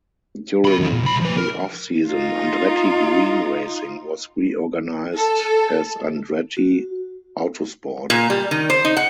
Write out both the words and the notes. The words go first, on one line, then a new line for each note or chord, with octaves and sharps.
During the off-season Andretti Green Racing was reorganized as Andretti Autosport.
F#4 B5
E2 D#3
A#2
C2 B5
F3 B4
A#4
D#4 F4
A4
F#4
A#2
G3
D#3
C5
D#4
F#5